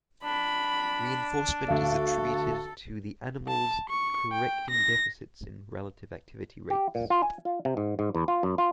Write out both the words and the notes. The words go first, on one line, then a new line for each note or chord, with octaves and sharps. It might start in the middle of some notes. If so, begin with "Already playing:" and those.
Reinforcement is attributed to the animal’s correcting deficits in relative activity rates.
D4 B5
D2 F#4 A4 F5
A5
C#6
G5
A#6
G4
A#2
F4
G#5
F4
C3
G#2
G#2
E2
F4
F#2
F4